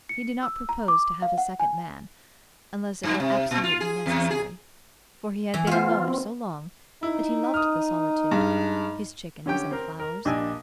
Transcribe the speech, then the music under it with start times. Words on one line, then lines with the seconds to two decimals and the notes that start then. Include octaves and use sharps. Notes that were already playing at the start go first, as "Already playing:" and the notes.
He did not propose to have a second man unless it were absolutely necessary, for he had been alone so long that he loved the solitude, his chickens, and flowers.
0.09 C#7
0.43 E6
0.69 A#5
0.88 D6
1.22 F5
1.38 F#5
1.60 G#5
3.03 G2
3.20 C3
3.51 A#2
3.64 F4
3.80 G#4
4.06 E2
4.30 G#4
5.54 E3
5.67 B3 F4 C5
6.08 C4
7.03 D#4 E4
7.54 D#6 F6
8.31 G2 G#3
9.46 D3 C#4 G4 G5
9.71 C4 A#4
10.00 A#4
10.25 A#1 D4 G4 D#5 G#5 E6